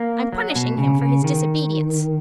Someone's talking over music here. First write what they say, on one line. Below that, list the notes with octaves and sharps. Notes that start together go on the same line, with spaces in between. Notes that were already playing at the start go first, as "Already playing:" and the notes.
I'm punishing him for his disobedience.
Already playing: A#3
F#3
B2
C#3
C#3
D#3